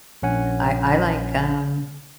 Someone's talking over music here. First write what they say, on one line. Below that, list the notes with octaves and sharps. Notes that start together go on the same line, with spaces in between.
I I like, um
A#1 C#4 F#5 G#5